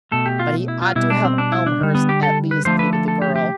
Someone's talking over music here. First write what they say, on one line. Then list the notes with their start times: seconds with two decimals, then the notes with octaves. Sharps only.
"But he ought to have Elmhurst, at least," pleaded the girl.
0.11 B2 A3 A4
0.26 G4
0.40 F4
0.68 E4
0.82 F4
0.96 B2 G3 E4
1.10 D4
1.25 C4
1.38 D4
1.52 E4
1.66 D4
1.81 D3 G3
1.95 B3
2.09 G4
2.23 A4
2.51 B4
2.65 D3 F3 A3 C5
2.79 B4
2.93 A4
3.08 A4
3.22 G4
3.36 G4